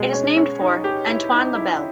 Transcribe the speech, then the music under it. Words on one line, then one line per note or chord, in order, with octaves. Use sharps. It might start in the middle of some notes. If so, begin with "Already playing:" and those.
It is named for Antoine Labelle.
Already playing: B2 G#3
C#4
C#4
D#4
G4
E4
D#4
E4